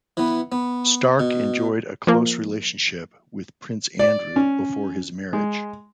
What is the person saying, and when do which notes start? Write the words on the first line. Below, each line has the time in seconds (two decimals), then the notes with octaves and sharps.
Stark enjoyed a close relationship with Prince Andrew before his marriage.
0.17 E3 B3
0.52 B3
1.20 B2
2.07 F3 A#3
3.99 D5
4.36 C#4
5.33 G#3